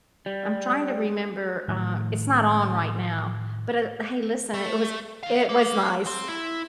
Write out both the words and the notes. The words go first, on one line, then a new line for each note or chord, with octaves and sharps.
I'm trying to remember, uh It's not on right now. But at l Hey, listen, it was i it was nice.
G3
A2 D#3 F3
A3
D#4 F5
A#3
C4
E4